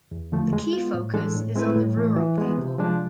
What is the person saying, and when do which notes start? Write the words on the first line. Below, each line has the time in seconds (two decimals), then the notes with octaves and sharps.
The key focus is on the rural people.
0.11 E2
0.32 D3 F3 A3
0.53 G#3
0.73 B3 F4
0.94 A2
1.14 E3 G#3 D4 A4
1.35 A2
1.55 G#3 C4 E4 B4
1.76 A2
1.97 E3 A3
2.17 E3
2.38 G#3 B3
2.58 C3
2.78 F3 G#3 D4